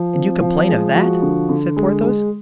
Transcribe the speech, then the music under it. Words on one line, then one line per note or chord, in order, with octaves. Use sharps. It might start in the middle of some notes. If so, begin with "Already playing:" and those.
"And you complain of that!" said Porthos.
Already playing: F3
C4
F3
G#3
F3 F#4
D3
D3
G#3
G#3